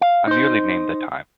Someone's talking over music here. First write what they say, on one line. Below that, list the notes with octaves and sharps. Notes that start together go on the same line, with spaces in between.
I merely named the time.
F5
D#4 C5